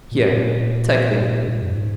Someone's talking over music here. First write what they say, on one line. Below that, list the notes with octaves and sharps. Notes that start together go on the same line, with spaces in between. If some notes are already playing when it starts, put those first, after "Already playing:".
Here, take them!
A#2
G#2
A#2
B2
A#2
F#2
G#2